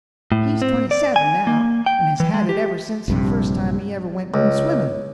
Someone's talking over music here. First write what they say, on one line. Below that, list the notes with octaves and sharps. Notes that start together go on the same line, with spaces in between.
He's twenty-seven, now, and has had it ever since the first time he ever went in swimming.
A2
C4
D5
G#5
A#3
G5
E3
G#3
G4
A#1 G2 C3
C#2